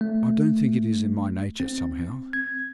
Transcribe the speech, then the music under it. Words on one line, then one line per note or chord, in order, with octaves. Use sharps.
I don't think it is in my nature somehow.'
A3
C4
G#6